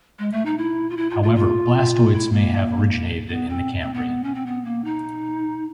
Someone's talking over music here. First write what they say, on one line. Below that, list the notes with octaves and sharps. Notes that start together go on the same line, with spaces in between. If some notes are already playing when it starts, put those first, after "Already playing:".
However, blastoids may have originated in the Cambrian.
G#3
A3
D#4
E4
F4
E4
F4
F4
F4
E4
A#3
B3
C4
C4
B3
C#4
C4
B3
A#3
D#4